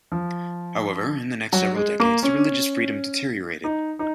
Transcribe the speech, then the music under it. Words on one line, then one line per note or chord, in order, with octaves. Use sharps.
However, in the next several decades the religious freedom deteriorated.
F3
F#3
G#3
A#3
C#4
D#4
D#4